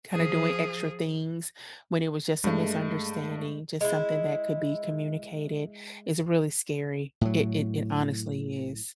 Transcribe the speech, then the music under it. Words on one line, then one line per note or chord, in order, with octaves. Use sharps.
kinda doing extra things when it was just a misunderstanding, just something that could be communicated is really scary. It it it honestly is.
F3 G#4
G2 G#3 A3
G#3 E4
A2 F#3